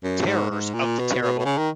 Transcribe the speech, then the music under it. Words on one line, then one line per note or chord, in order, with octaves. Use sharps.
Terrors of the terrible!
F#2
G#2
G#2
A#2
B2
B2
B2
C#3
D#3